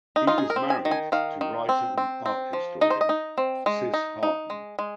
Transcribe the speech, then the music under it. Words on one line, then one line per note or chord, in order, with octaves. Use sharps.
He was married to writer and art historian Sys Hartmann.
D#4
D#4 F4
G#4
A#4
C4
G#5
D#3
G#5
D#3 F5
D#3
C4
C4
C4
F3
D#4 D#5
C5
D#5
D#4
C4
G#3
D#4
D#4
G#3
G#3